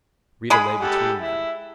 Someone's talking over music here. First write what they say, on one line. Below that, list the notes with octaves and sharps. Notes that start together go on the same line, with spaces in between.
Rita lay between them.
G#3 G#4 B5
G4 A4 F#5
E4